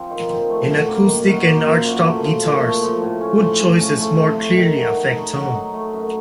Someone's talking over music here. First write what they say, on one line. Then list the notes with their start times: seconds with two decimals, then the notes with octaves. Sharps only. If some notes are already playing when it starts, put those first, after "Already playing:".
In acoustic and archtop guitars, wood choices more clearly affect tone.
Already playing: F3 C4
0.10 D#3
0.30 C4
0.50 A3
0.69 F#2
0.88 A#3
1.08 D#3
1.27 F#2
1.47 A#3
1.66 F3
1.85 F#2
2.05 A3
2.24 F3
2.44 A#2
2.63 A3
2.83 F3
3.02 A2
3.21 C#4
3.41 A3
3.60 C#3
3.80 C#4
4.00 A3
4.19 C3
4.38 A3
4.57 D#3
4.77 F#3
4.96 D#4
5.16 A3
5.35 F#3
5.54 D#4
5.74 A3
5.93 F#2